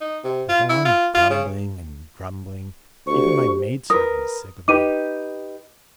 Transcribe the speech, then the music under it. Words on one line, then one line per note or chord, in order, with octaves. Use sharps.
I go on grumbling and grumbling. Even my maidservant is sick of me.
D#4
C3
F4
E4
F4
F4
C#3
D2 G4 C5 C#6
A#4 B4 D#6
D#4 G4 B4 D6 D#7